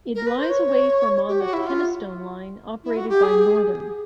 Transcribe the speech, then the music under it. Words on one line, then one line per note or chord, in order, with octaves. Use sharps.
It lies away from on the Penistone Line operated by Northern.
A#4
B4
C5
C#5
G4
F#4
E4
F4
E4
F#4
G4
G#4